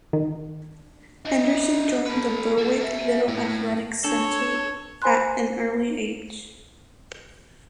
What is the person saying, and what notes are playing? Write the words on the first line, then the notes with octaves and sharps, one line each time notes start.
Henderson joined the Berwick Little Athletics Centre at an early age.
D#3
D4 D#5
A4 B4
A#3 A4
A#4 E5
A2
D4 A4 C#5
C5 G#5 B5 C6 F#6